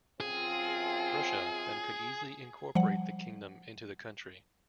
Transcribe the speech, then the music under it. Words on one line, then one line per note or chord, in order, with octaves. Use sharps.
Russia, then, could easily incorporate the kingdom into the country.
F#2 C4 F4 G#4
F3 G3 F#5